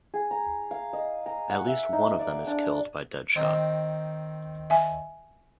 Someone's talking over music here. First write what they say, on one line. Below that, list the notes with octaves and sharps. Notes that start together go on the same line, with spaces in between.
At least one of them is killed by Deadshot.
G#4
A#5
F5
D#5
A#5
F#5
E5
D#4
D5
D4
D#3 C4 D#4
E5 G#5